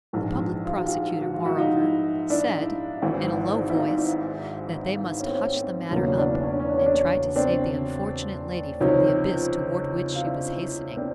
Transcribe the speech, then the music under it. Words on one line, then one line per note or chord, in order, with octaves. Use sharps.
The public prosecutor, moreover, said, in a low voice, that they must hush the matter up, and try to save the unfortunate lady from the abyss toward which she was hastening.
A#1 G#2 E3
F4
F#4
F4 G4
F#4
F4
E4 F#4
D#4 F4
D4 E4
G#1 G#2 E3
E4
D#4 F4
C#4
C4
C#4
C4
E1 E2 C#3 F#3 A#3 C#4
D4
C#4
D4
C#4
D4
C#4
D4
C#4
D4
C#4
D4
C#4
C4 D4
C#2 C3 F3 C#4 D#4
F4
D4 E4
C4 D4